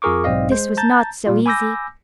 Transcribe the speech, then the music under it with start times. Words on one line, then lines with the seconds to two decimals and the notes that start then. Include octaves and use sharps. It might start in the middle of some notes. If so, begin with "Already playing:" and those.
This was not so easy.
0.02 F2 F4 G#4 A#4 C#6 D6
0.24 B1 G#2 C4 D5 D#5 F5
0.51 G#3 C5
0.77 A5 A#5 G6 A6
1.27 A#2 G3 F4
1.46 G#5 B5 D6 E6 G6 A#6